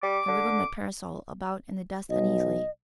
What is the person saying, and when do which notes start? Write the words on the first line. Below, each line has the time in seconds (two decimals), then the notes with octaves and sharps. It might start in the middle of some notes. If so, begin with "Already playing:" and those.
I wriggled my parasol about in the dust uneasily.
0.03 G3 D6
0.28 D3
2.10 B1 D#5